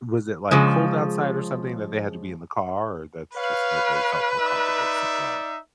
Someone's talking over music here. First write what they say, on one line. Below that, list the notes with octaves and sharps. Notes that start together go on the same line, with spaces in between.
Was it, like, cold outside or something that they had to be in the car or that's just where they felt more comfortable to sit down?
C#3 F3 G#3
B4 C#5 F5
D#4 D5 E5